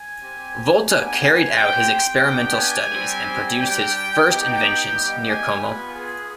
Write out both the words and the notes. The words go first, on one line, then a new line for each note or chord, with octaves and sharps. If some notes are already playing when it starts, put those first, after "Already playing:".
Volta carried out his experimental studies and produced his first inventions near Como.
Already playing: G#5
C4 G4
B3 D4 G4 G#5
G#5
C4 G4 G5
G5
B3 D4 G4 G5
G#5
G3 C4 G4
G3 D4 G4 G5
B3 D#4 G4 G5
G3 B3 D#4 G4
G#5
B3 F4 B4
G#4